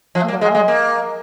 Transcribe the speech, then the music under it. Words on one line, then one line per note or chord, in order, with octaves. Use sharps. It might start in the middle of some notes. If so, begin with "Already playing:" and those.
Oh, wow.
F3
A#3
G#3
G#3
A#3